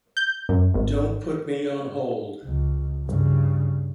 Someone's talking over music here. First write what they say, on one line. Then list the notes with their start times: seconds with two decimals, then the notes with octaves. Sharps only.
Don't put me on hold.
0.17 G6
0.49 F#2
0.74 G#1
2.45 C#2
3.06 G2 C#3